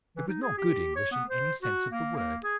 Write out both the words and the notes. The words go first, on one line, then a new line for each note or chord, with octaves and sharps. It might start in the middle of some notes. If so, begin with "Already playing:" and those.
It was not good English in any sense of the word.
E3
D#4
G#4
G4
C#5
B3
C5
F#4
A#3
A#3
G#4